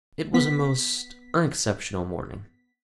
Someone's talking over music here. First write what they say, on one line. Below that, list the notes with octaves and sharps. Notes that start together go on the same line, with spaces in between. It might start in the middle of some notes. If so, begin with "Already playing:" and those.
It was a most unexceptional morning.
B3 B6